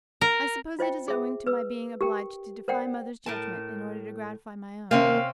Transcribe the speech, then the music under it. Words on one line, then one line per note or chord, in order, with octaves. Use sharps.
I suppose it is owing to my being obliged to defy mother's judgment in order to gratify my own.
A#4
F4 C5 D#5 G5
G#4 E5
B4 E6
G4 A#4 G5
A#4 C5 D5 F#5 G5
A2 A#4 A5
D#2 C3 A#3 C4 C#4 F5